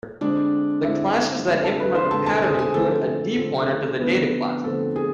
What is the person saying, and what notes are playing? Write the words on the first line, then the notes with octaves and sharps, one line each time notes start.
The classes that implement the pattern include a "d-pointer" to the data class.
D3 G#3 C4 D4 D5
D3 G#3 C4 E4 E5
D3 G#3 C4 F4 F5
A4 A5
B4 B5
C5 C6
D3 G#3 C4 A4 A5
A4 A5
G#4 G#5
G#4 G#5
D3 F3 A3 C4 A4
D3 F3 A3 C4
D3 F3 A3 B3 C4 B4
D3 F3 A3 C4 A4
G#4